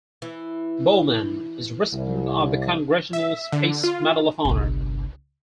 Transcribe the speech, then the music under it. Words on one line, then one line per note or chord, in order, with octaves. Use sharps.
Borman is a recipient of the Congressional Space Medal of Honor.
E3
C2
E5
D3
F4
G1 C2